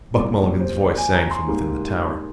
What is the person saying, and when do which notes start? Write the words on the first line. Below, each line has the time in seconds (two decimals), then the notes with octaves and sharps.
Buck Mulligan's voice sang from within the tower.
0.15 C2 A#2 G3 D5
0.37 D5
0.59 C5
0.81 D5
0.97 G#5
1.15 A#5
1.31 C6
1.48 G#2 G3 A#3